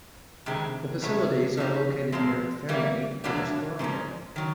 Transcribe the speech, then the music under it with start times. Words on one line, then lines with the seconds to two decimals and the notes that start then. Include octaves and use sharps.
The facilities are located near Fernie, British Columbia.
0.46 F2 C3 D#3 G#3 C4
1.02 E2 B2 F#3 A3 C#4
1.57 F3 A#3 D#4 G4
2.12 A#2 F3 G#3 C4
2.69 E3 G3 A#3
3.24 E2 B2 F#3 A#3 D4
3.79 G#2 F3 A#3 C#4
4.36 D#3 F#3